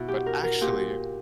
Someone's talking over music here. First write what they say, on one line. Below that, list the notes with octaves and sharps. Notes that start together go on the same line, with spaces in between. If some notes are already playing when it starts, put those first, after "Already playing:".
But, actually
Already playing: B2 E4
G4
A#4
A#4
A#2 G4